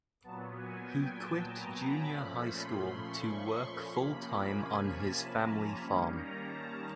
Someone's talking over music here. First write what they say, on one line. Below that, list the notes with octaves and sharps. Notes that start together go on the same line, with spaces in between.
He quit junior high school to work full-time on his family farm.
A#2 F#3 B3 A5
G#5
G5
A5
A#5
B5
A#2 F3 A3 C#4 B5
C6
C#6
C6
C3 F3 A#3 C#4 B5
G#5
A5
A#5
D#3 G3 A#3 C#4 B5
A#5
A5